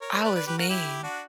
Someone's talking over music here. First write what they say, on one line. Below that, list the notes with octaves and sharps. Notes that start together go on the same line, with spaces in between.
"I was mean."
A#4 C#5
A#4 C#5
B4 D5
B4 D5
G4 B4
F#4 A#4
E4 G4
D4 F#4